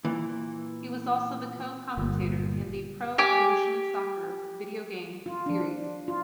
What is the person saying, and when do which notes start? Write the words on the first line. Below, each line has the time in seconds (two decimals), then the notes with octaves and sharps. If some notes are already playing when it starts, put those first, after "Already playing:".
He was also the co-commentator in the "Pro Evolution Soccer" video game series.
0.05 A#2 E3
1.97 G1 A#2
3.18 G4 G#5 D6
5.26 F4
5.46 F3 D4
6.08 F4